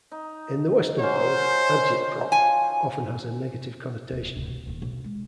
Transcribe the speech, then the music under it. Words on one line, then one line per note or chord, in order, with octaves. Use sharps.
In the Western world, "agitprop" often has a negative connotation.
D#4
F#3 C#4 C5
F3 G#5
D#1
D1 C#3
B2
D#1 D#3
B1
G#3